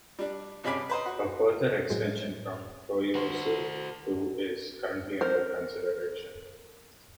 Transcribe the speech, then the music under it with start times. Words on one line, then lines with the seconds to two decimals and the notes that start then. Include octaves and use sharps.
A further extension from Toyosu to is currently under consideration.
0.19 G3 D4
0.64 G2 C3 C#4 G#4 B5 D6
0.89 B4 C5 D#5
1.06 F#4
1.90 A2 F#3 G#3
3.15 F#4 C5
5.21 A#4 C5